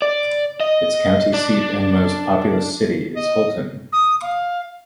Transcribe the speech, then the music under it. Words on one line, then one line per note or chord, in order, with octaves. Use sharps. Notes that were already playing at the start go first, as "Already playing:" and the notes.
Its county seat and most populous city is Holton.
D5
D#5
D4
D#5
D#6
F5